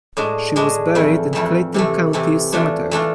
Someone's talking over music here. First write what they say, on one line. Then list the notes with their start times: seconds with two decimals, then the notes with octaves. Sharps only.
She was buried in Clayton County Cemetery.
0.17 A2 G#3 D4
0.56 A2 G#3 D4
0.95 F2 E3 A3 E4
1.33 F2 E3 A3 E4
1.74 C3 E3 A3
2.13 C3 E3 A3
2.52 E3 A3 D4 F4
2.91 E3 A3 D4 F4